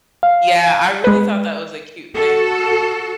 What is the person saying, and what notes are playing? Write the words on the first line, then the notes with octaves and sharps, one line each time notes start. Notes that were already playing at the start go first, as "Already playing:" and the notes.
Yeah, I really thought that was a cute thing.
F5
G#3 B4
F#4 A4